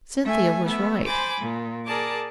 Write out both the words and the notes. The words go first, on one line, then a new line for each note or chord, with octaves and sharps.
Cynthia was right.
A3 E5 G#5
A3 B3 E5
C5 G#5 B5 D6 A6
A#2
G#4 A#4 D5 A5 D6